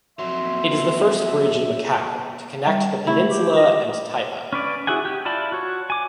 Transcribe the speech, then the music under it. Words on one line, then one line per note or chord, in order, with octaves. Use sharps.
It is the first bridge in Macau, to connect the peninsula and Taipa.
F2 F#3 E5 C6
G3 E5 G5
A3 E4
G4
D#5
C#4 B4 D5
E4 F#4 G#4 F#5 G#5
G4
E4 F4 D5 A5 B5
F#4 C#5
G#5 D6